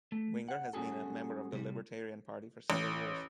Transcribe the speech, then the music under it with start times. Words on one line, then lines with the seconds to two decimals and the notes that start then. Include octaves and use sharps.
Winger has been a member of the Libertarian Party for several years.
0.12 A3
0.49 F#5
0.73 G3 C#4 F#4 G#4 A4
1.52 C3 G3
2.70 A1